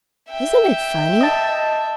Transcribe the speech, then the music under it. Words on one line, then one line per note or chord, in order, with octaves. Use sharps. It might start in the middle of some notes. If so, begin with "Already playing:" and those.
Isn't it funny?'
E5 G5
D#5 A5